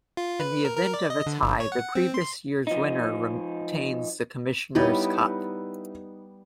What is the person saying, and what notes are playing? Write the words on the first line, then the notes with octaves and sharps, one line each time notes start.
In the event of a tie, the previous year's winner retains the Commissioner's Cup.
F4
B4
A#4
A#4
D5
D#5
D3
G1
C#5
F#5
C4
C6
F3 D#4
G3 B3 D#4 E4 C#5